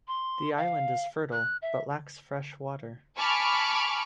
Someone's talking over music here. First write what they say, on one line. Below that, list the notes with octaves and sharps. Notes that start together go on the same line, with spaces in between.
The island is fertile, but lacks fresh water.
C6
F5
F#6
E5
G#5 A5 B5 C#6 D6 F6